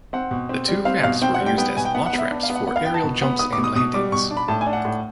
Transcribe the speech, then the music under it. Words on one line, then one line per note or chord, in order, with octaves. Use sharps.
The two ramps were used as launch ramps for aerial jumps and landings.
C4 F#5
B2
C4
G3
C4 F5
B2 F5
C4 G5
F#5
G3
G5
B3 G5
B2 G#5
G5
B3 F#5
F#5
B3
E5
D4
F5
B3
F#5
B3 F#5
F5
B3 G5
A5
B2
B3
B3 D#6
D6
B2
D#6
B2 D#6
G3 D6
B2 C#6
D4
B5
A2 A5
G#5
D4
F#5
A2